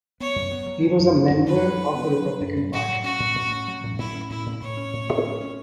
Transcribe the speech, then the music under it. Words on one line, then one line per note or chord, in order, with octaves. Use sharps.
He was a member of the Republican Party.
B3 C#5
F#2
B3
F#3
F#3
F#2
B3
F#2
F#2 B4
F#3
F#3
B3
F#3
F#3
F#2
F#2
A2 F#4
F#3
C#4 F#4
A2
A2
C#4
F#3
A2
A2 E4
C#4
A2 E4
A2
A2 C#5
C#4
A2
A2
C#4
C#4